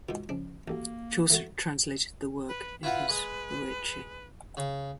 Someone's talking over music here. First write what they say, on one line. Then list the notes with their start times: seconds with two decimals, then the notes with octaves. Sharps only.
Chaucer translated the work in his "Boece".
0.09 G#2 B2 F4
0.29 C#3 F3 C#4 D4
0.68 A1 A#3 F#4 G4 A4
1.30 E3 A3 F#4 F#5
2.48 B4
2.83 E4 F4 B4 F#5
3.09 G#3
4.57 C#3